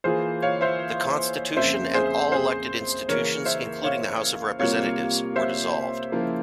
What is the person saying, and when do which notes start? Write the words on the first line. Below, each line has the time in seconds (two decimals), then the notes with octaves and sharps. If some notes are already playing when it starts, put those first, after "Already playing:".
The constitution and all elected institutions, including the House of Representatives, were dissolved.
0.04 E3 A#3 F4 G#4 C5
0.42 C#5 F5
0.61 C5 E5
1.56 F2 C#3 F3 A#3 C#4 C5 E5
1.94 G#4 C5
2.32 G#4 C5
3.08 C#3 E3 A#3 C#4 A#4 C#5
3.45 C5 E5
3.84 C#5 F5
4.59 C3 G3 A#3 F4 C#5 F5
5.36 C5 E5
6.12 C#3 F3 A#3 E4